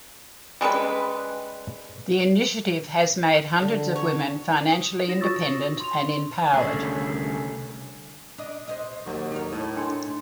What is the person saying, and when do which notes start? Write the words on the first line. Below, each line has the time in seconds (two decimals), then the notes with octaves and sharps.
The initiative has made hundreds of women financially independent and empowered.
0.61 G3 G#3 C#4 B4
3.62 D3
3.96 C#5
4.72 D#6
5.08 D#4 F4 F#4 C#5 A#6 E7
5.20 C#6 D#6 E6 A6 A#6
5.80 C6 F7
6.53 C2 D3 A3 C#4 G#4
8.38 D4 D#5
8.68 C5 C#5 D#5
9.07 D#2 F#3
9.32 D#4 A4 A#4 C#5
9.52 A2
9.76 D4 G5 C6